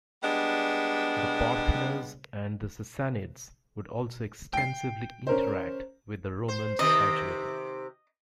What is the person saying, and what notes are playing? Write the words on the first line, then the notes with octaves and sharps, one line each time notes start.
The Parthians and the Sassanids would also extensively interact with the Romans culturally.
G3 G#3 B3 D4
G5 C7
C#4 A#4 C5
C5
C3 D#3 G4 D#5